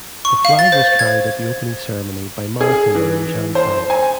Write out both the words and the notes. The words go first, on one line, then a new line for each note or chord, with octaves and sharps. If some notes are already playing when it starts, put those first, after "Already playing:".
The flag was carried at the opening ceremony by marathon runner Jan Tau.
C#6
F5
A6
C5
G#6
G#4
E3
C5
G#5